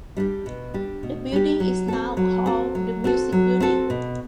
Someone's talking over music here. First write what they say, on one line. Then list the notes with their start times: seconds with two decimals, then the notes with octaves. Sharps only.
The building is now called "The Music Building".
0.17 G3 D4 G4
0.46 B2
0.74 G3 D4 G4
1.03 B2
1.32 G3 D4 G4
1.60 F#3
1.88 C4 F#4 A4
2.17 F#3
2.46 C4 F#4 A4
2.75 F#3
3.04 C4 F#4 A4
3.32 F#3
3.60 C4 F#4 A4
3.90 B2